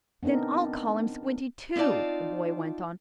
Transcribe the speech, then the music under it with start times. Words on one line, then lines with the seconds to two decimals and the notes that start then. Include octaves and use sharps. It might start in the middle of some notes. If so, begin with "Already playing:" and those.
"Then I'll call him Squinty, too," the boy went on.
0.23 B3 C4 D4 D#4 A#4
1.76 C4 D#4 F4 D5 A5